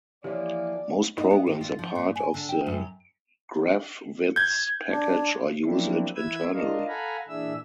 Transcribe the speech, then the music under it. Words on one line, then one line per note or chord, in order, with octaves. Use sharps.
Most programs are part of the Graphviz package or use it internally.
E3 F3 A#3 G4 C#5 D5
D#4
B3
D#3
F4
F3
A#2
G#5
D3
G5
F#2
G6 G#6
D4
F3 F#3 A#3 C4 D4 E4
E3 E4 B4 E6 G#6
D4 F4 A#4 D#5 F5
A4 F5 F#5 G#5 A#5 B5
A#2 E3 D4 G#4 E5 E6